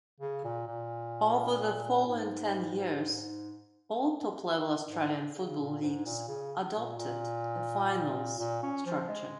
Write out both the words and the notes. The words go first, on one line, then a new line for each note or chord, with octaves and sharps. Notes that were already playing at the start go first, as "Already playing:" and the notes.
Over the following ten years, all top-level Australian football leagues adopted a finals structure.
C#3
A#2
A#2
G#2
G#2
G#2
G#2
C#3
A#2
G#2
A#2
C#3
A#2
A#2
A#2
C#4
F3
G#3